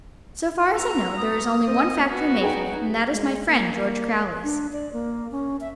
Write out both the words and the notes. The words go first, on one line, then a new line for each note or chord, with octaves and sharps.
So far as I know, there is only one factory making it and that is my friend, George Crowley's.
B3 F#4 A#5 E6
D#6
C4 D#5
B3 F#4
D#4 G#4 G5
G#3
A#3
A#3
D4
D5
A#3
C#4
E5